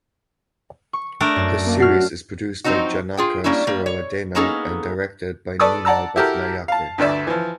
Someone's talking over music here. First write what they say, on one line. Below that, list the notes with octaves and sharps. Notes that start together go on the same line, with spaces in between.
The series is produced by Janaka Siriwardena and directed by Nimal Ratnayake.
C#6
A3 D4 A#4
F#2 A5
A#3
F#4 F6 C7
F3 F#3 C4 D#4 F#4
F4 G#4 G5
G3 A#3 C#4 D4 E4
G3 A#3
C#5
A#3 B3 C#4 D#4 G#4 A4
A4 B4 D5 C#6 D#6 E6
D5 F#5 A5 A#5 E6
E4 F#4 G4 A4 A#4
F5 A5
D2 G2 D5 E5
E3 F3